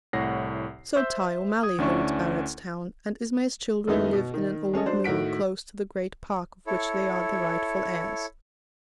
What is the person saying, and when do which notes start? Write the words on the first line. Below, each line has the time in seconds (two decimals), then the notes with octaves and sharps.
So Tighe O'Malley holds Barrettstown, and Ismay's children live in an old mill close to the great park of which they are the rightful heirs.
0.13 C2 A2 C#5 F#5 A#6 C7
0.96 C5 E5 E6 G6
1.63 D#6 G#6
1.78 D2 C#4 D4 E4 C#6
3.88 F#2 D#3 A3 B3 D#4 E4
4.13 B2
4.34 D#3
4.73 G#3 C#4 A4 D#5
4.86 F#3 D4 C5
5.04 A2 D#3 F#4 B6 D7
6.67 E4 A4 C#5